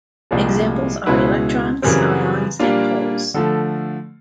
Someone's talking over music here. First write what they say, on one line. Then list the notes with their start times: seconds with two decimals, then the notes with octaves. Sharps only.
Examples are electrons, ions and holes.
0.31 C2 A#2 F3 G#3
1.06 C#2 B2 G#3 C#4 E4 B4
1.82 F#2 C#3 E3 G3 C4 A#4
2.59 A#2 G3 A#3 D4 F4
3.34 D3 F3 A3 A4